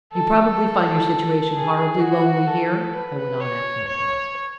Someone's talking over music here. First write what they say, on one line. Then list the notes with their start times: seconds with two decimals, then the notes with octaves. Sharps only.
"You probably find your situation horribly lonely here?" I went on after a pause.
0.12 A4
1.53 G#4
2.00 F#4
2.47 A4
2.93 B4
3.40 C#5
3.87 C#5